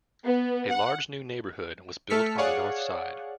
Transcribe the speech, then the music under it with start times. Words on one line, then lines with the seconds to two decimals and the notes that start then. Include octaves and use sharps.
A large new neighbourhood was built on the north side.
0.24 B3
0.69 F#5
2.10 A3 A4 F6 B6 C#7
2.38 G#4 C#5 D5 F5 F#5